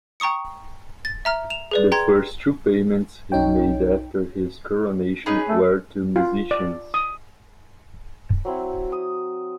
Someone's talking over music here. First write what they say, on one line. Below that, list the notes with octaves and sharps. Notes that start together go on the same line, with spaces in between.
The first two payments he made after his coronation were to musicians.
G5 A#5 C#6 D#6 C#7
A6
E5 A#5 F6
E7 F7
G#4 B4 D5
G5 A#5 C6 G#6
B1 D#4 C#5 G5
C#4 D#4 G#4 B4
A3
F4
D5
D#6
F#3 C4 E4
D#6